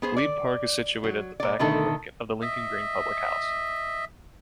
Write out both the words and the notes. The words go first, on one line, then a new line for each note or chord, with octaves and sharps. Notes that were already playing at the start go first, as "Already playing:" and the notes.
Glebe Park is situated at the back of the Lincoln Green public house.
B3 G#4 C5
D5
F#3
A#2 D5
B2 D3 D#3 A3 A4
D#5 E5